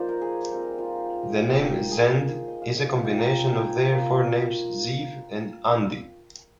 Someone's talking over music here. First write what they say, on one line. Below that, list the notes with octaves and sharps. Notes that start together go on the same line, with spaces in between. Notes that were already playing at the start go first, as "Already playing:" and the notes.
The name Zend is a combination of their forenames, Zeev and Andi.
Already playing: F3 A#3 D#4 C5 D5
A#4
G#4
G3 C4 F4
F4
G4
A#3 D#4
G#4
D#5
F5
F3 G#3 D#4 D#5
F5
G5
A#5
G#5
G5
G#5
A#3 F4 A#5